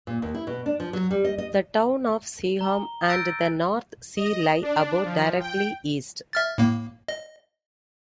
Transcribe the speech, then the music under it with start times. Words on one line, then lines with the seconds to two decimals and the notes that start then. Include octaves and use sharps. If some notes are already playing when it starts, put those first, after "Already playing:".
The town of Seaham and the North Sea lie about directly east.
0.07 A#2
0.22 D#2
0.35 E4
0.47 B2
0.66 D4
0.80 F3
0.93 F#3
1.11 G3
1.24 D#5
1.38 D#5
2.59 A#5 G7
3.09 E6 F#6 G6 A6 A#6 D7
4.16 D#5
4.62 D4
5.04 F3
5.40 G5
6.33 E5 F6 A6
6.58 A2 A#3
7.08 D#5